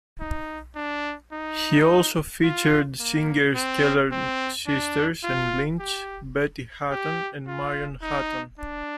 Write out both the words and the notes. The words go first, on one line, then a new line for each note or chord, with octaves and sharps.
He also featured singers Keller Sisters and Lynch, Betty Hutton, and Marion Hutton.
D#4
D4
D#4
F4
A#3
C4
C4
D4
F4
G4
G4
F4
D#4
D4